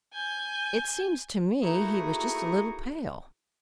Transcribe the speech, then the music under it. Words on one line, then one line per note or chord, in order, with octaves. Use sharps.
"It seemed to me he was just a little pale."
G#5 G6
A3 A#3 D#4 E4 F#4 G#4